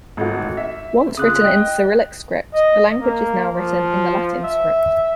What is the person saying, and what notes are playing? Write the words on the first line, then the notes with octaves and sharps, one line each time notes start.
Once written in Cyrillic script, the language is now written in the Latin script.
G#1 A3 F#4
E5
C#3 F4 D#6 F#6
D#5 G5
D#5
A#3
F3
E5